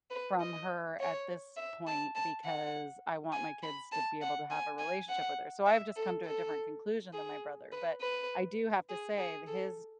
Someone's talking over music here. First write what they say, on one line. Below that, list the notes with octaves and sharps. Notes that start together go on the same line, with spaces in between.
from her at this point because I want my kids to be able to have a relationship with her." So I've just come to a different conclusion than my brother, but I do have to say that his
B4
D#5
C#5
E5
A5
A5
F#5
G#5
B5
A5
F#5
G#5
G#5
F#5
E5
A4
A4
G#4
B4
B4
G#4
G#4
A4